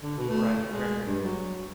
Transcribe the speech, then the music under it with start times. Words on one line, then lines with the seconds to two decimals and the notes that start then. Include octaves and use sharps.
Right. Right. Right.
0.02 D3
0.17 B2
0.29 A3
0.69 G#3
1.05 G2
1.22 F#3